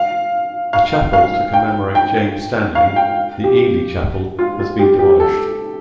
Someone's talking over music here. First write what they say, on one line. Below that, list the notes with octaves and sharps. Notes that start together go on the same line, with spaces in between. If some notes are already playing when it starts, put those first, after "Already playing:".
A chapel to commemorate James Stanley, the Ely Chapel, has been demolished.
Already playing: F5
F5
F5
G5
G5
F5
G5
G4
F4
F4
G4
G4
A4